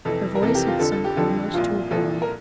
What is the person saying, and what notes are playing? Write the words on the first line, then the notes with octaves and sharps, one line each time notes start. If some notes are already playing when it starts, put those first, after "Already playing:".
Her voice had sunk almost to a groan.
F2 C3 E3 A4
A#4
F2 C3 E3 A4
G4
F4
F2 D3 F3 A4
A4
G4
F2 D3 F3 A4
C2 A#2 F3 F4
C2 A#2 F3 A4
A#4